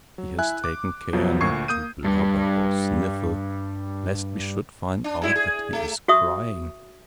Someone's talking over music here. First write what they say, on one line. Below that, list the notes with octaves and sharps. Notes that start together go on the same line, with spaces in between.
He has taken care not to blubber or sniffle, lest we should find out that he is crying.
F#3
E4 E5 G#5 F#6
D6
C2 F3 F#3 B3
D2 A#2 C#6 G#6 C7
A#3 D#6 G6 D#7
G2 G3
D4
F#3 G#3 E4
G#4
A3
F#4 C#5 E5 C#6 D#6